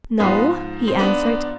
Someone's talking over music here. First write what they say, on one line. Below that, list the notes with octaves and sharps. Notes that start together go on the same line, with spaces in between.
"No," he answered.
G#2 F3 G#3 B3
C4
B3 D4